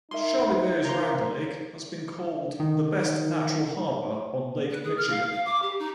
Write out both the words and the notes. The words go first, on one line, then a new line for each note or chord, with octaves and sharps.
Charlevoix's Round Lake has been called the best natural harbor on Lake Michigan.
D#4 G#4 A#4 E5 C6
A#3 A#5 C6
D#3
B4
G#4
F6
F5
F5
D6
G4
D#4